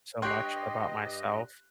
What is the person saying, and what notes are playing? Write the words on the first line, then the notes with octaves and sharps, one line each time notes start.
so much about myself
G2 G4 C#5 D#5 G5 C6 F#6 C7